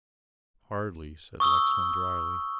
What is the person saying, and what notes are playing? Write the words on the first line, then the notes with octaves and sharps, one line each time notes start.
"Hardly," said Lexman, drily.
C#6 D#6 E6 G7